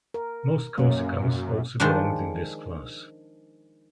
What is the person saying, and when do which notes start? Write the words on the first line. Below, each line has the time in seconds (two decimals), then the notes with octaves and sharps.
Most Corsicans also belonged in this class.
0.14 A#4
0.78 F#2 A#3 C#4
1.80 D#3 F3 G#3 D4